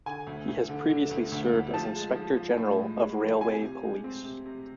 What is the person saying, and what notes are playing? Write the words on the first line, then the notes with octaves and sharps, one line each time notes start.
He has previously served as Inspector General of Railway Police.
D3 G#5
D2
D2
D3
D3
D2
D2
D2
F3 A5
G#3
F3
F3
A2
G#3
G#3
F3
C3 G#5
C3
G#3
C4
C3
C3